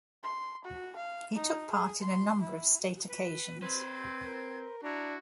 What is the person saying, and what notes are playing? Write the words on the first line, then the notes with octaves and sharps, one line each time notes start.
He took part in a number of state occasions.
C6
F#4
F5
D#4
G#4
C6
E4
B4
C4 B4 C5 G#6
A#4
D4 E4 F#4 A#5